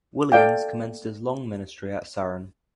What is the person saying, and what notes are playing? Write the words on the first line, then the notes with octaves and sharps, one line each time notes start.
Williams commenced his long ministry at Saron.
A4 D5 F5 G5